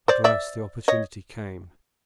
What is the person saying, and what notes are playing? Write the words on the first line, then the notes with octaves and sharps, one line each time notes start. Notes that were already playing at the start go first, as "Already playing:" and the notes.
At last the opportunity came.
C5 D5
D5 E5
C#5 D#5